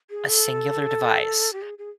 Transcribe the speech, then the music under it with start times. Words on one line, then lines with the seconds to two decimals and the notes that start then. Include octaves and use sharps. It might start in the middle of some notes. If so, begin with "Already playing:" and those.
a singular device
0.10 G#4
0.29 A4
1.53 G4
1.62 G#4
1.78 G#4